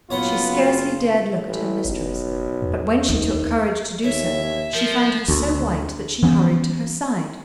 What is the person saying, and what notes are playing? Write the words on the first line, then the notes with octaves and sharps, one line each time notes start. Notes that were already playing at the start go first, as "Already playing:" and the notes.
She scarcely dared look at her mistress, but when she took courage to do so, she found her so white that she hurried to her side.
F#1 F#3 B3 F4 C#5 A#5 C6
A1
F#1 B1
E2
D2 D#3
D#2 C#5 E5
F3 A#4
D2
E3 B3 C#4